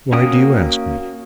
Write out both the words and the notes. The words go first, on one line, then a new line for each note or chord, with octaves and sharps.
Why do you ask me?'
A#3 C#4 F#4 G5 D#6